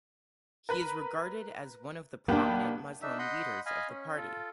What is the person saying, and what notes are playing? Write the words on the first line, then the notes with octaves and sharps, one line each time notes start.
He is regarded as one of the prominent Muslim leaders of the party.
A#4 B4 B5
B1 A#3 B3 D4 G4
D4 D#4 E5
D#5 F#5 B5 C6 G6
D#5 F5 G#5 B5
C#4
F4 A4